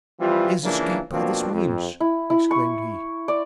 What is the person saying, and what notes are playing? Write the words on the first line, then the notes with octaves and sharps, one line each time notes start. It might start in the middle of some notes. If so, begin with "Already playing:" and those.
"He has escaped by this means," exclaimed he.
E3 F3 G3 C4 F4
C#3 E3 F3 A#3 D4 A#4
B2 F3 A#3 C4 D4 F#4
F2
E4
E4
C#6
D5